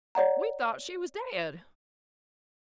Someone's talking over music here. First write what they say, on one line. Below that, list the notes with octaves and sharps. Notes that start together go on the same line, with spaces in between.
We thought she was dead.
C#5 D5 F#5 A#5